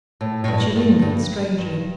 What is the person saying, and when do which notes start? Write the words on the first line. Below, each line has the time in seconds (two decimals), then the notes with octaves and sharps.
But she lingered strangely.
0.21 A2
0.44 A2
0.48 G2
0.76 G2
1.02 G2
1.58 G2